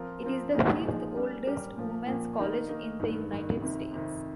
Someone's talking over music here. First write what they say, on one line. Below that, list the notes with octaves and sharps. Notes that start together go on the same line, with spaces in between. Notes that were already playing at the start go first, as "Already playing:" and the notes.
It is the fifth oldest women's college in the United States.
Already playing: F3 C4 F4 A#4
F3 C4 F4 A#4
A#2 F3 G#3 D#4
A#2 F3 G#3 D#4
G3 C#4 G4 A#4
G3 C#4 G4 A#4
A#2 F3 A#3
A#2 F3 A#3
D#3 A#3 D#4 A#4
D#3 A#3 D#4 A#4
G2 D#3 A#3
G2 D#3 A#3
F2 C3 D#3
F2 C3 D#3